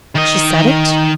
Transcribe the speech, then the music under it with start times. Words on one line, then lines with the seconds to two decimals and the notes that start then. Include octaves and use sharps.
She said it?
0.16 D#3 D#5